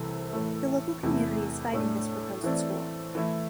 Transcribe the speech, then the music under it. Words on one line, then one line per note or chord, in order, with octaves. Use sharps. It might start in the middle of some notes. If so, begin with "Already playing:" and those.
The local community is fighting this proposed school.
Already playing: C2 C3 E3 C4 A4
A2 E3 A3
E2 C3 A3 E4
A2 A3 D4
E3 A3 C4 A4 D5
E3 A3 E4